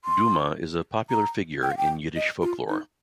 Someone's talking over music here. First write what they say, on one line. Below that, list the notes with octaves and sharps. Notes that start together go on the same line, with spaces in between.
Dumah is a popular figure in Yiddish folklore.
C6
A#5
G5
F5
G5
D#5
F4
D#4